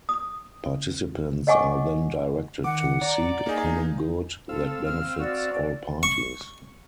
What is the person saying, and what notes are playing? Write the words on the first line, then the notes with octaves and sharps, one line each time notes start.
Participants are then directed to seek a common good that benefits all parties.
D#6
C#5 D#5 F#5 G#5 C#6 D6
D#3 F#5 D6
D5 A#5
A#3 D#4 G#4
C4 A4 F5 E6
F6
F#4 D5
C#6